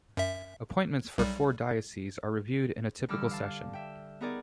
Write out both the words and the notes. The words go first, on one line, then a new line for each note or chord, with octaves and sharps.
Appointments for four dioceses are reviewed in a typical session.
F#2 E5
B1 G3
D3 E3 G3 D6 E6 F6
F5 A5
E5 G5
B3 D#4 G#4 A#4 D5 G#5